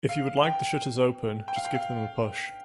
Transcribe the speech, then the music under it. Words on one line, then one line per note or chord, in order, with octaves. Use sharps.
If you would like the shutters open, just give them a push.
F5
G5
G5
F5
G5
F5